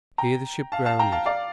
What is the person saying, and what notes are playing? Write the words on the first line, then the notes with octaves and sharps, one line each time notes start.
Here the ship grounded.
G5 A#5
F5 A5
F5 A5
G5 A#5
F5 A5
D5 F5